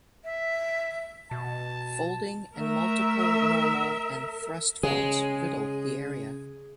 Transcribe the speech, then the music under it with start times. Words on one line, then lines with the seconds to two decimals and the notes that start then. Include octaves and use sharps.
Folding and multiple normal and thrust faults riddle the area.
0.24 E5
1.31 B2 A5
2.56 A3 A#4 E5
4.83 C#3 G#3 G#4